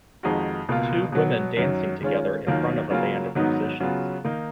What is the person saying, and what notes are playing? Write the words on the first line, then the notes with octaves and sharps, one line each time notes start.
Two women dancing together in front of a band of musicians.
F2 D#3 G#3 D#4 F#4
C#2 B2 A#3 F4
B2 F#3 B3
F#2 D#3 F#3
D#3 G#3 C#4 F4
D#2 D#3 F#3 A#3 F4
C#3 F#3 A#3 C#4 F4
G#2 D#3 F#3 B3 D#4
C#3 F#3 B3 F4
D#3 A#3 D#4